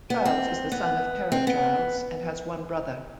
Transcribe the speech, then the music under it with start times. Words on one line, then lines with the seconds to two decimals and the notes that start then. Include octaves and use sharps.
Childs is the son of Kara Childs and has one brother.
0.10 B3
0.25 C4
0.72 B3
1.32 C4
1.47 B3